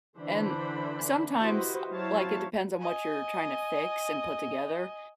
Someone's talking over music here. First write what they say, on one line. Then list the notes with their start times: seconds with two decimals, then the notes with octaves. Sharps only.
and sometimes, uh like it depends on what you're tryna fix and put together
0.17 D3 E3 D4 C5 B5
1.39 E4 F#4 G4 B4 C5 D#5
1.91 F#3 E4 C5 C#5 F5 A5
2.79 D#5 G#5